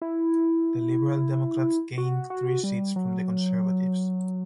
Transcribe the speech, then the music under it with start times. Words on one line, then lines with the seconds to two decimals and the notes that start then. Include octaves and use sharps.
The Liberal Democrats gained three seats from the Conservatives.
0.02 E4
1.98 F#4
2.30 F#4
2.64 G3
2.96 F#3